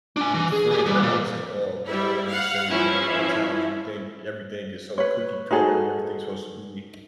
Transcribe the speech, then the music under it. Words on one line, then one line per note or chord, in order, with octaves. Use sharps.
with friends, and I'm not gonna say all, but I would just say, you know, a lotta times we think everything is so cookie-cutter and everything's supposed to be,
D4 G#5
E3
G#4
G4 G#4
E3 G3
A#2
G3 E4
F5 F#5
E3 F3 C#4 E4
B4 C#5
D#4 F#4 G#4 A4